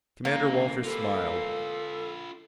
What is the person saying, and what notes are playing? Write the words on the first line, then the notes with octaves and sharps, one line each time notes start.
Commander Walters smiled.
C#3 E3 A#3
F4 A4 B4